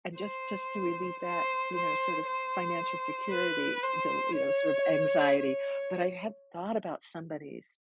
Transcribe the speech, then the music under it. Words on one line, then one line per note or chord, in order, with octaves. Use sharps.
And just just to relieve that, you know, sort of financial security, dil you know, sort of anxiety, but I hadn't thought about somebody's
C5
C5
C5
C5
B4
C5
C#5
C#5